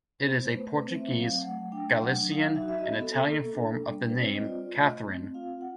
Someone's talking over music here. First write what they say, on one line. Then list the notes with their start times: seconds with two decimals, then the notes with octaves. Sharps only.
It is a Portuguese, Galician and Italian form of the name Katherine.
0.20 B3 C5
0.45 C5
0.50 A3 B4
0.66 B4
0.74 C5
0.82 C4
0.96 E5
1.12 F#3
1.20 F5
1.42 A3 F#5
1.72 D4 G5
2.02 F#3 F#5
2.32 D#4 F5
2.55 E5
2.62 F#4
2.68 E5
2.78 D#5
2.92 B3
3.01 A4
3.23 A#3
3.53 D4
3.83 G3
4.09 B4
4.14 C4 C5
4.34 D#5
4.44 F4 D5
4.75 A3 D#5
5.05 C4
5.34 F4 F5
5.61 F#5